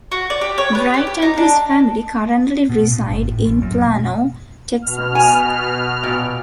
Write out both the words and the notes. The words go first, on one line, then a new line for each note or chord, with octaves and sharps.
Wright and his family currently reside in Plano, Texas.
F#4
D5
G4
C#5
B3
G4
G4
D#4
D4
B2
A#2
G1
A2
A#1
F#2
B2
B2 F6
G#5
A#2